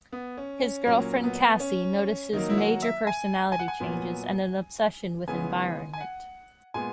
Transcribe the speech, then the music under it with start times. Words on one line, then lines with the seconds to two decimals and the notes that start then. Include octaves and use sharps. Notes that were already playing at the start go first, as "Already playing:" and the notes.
His girlfriend Cassy notices major personality changes and an obsession with environment.
0.12 B3
0.38 C#4
0.62 C#4
0.86 A#2 F#3 A#3 C#4
1.23 B3
1.60 C#4
2.33 D#3 F#3 A#3 D#4
2.50 E4
2.58 F#4
2.82 E5
3.07 G#5
3.52 G#5
3.59 F#5
3.68 G#5
3.80 A#2 F#3 B3
5.28 C#3 E3 G#3 B3 G#5
5.93 G#5
6.00 F#5
6.74 A#2 G#3 B3 G#5